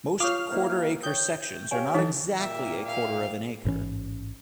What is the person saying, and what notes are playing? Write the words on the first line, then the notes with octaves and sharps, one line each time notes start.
Most "quarter-acre" sections are not exactly a quarter of an acre.
F4 C#5 F5 C#6 D#6 F6
A#3 E4 C5
C#5 G5 D#6 G6
G4 C#5 F5 G#5
E3 D#4 A4 D#5
A#2 A#3 E5 G5
E5 F5
A1 G#2 E3 C#4